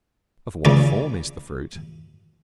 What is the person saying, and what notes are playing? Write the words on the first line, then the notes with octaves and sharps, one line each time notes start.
Of what form is the fruit?
C#2 C#3 D5